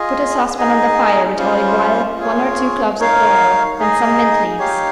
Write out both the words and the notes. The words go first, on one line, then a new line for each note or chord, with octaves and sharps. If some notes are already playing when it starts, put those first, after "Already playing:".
Put a saucepan on the fire with olive oil, one or two cloves of oil and some mint leaves.
Already playing: F4 G#4 D#5
D#4 G#4 D#5
G3 C#4 F4 C5
F4 G#4 C#5
D#4 A#4 C#5 F5
D#4 G#4 D#5
D#4 G4 C#5 F5